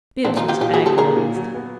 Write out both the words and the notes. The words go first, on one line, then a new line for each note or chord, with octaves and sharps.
Bibbs was agonized.
A#2 C4 D4
D#4 F4
F#3
F4 G4
A#2 F4 G4
F#4 G#4
F#3
G4 A4
A#2 G#4 A#4
A#2
F#3
B3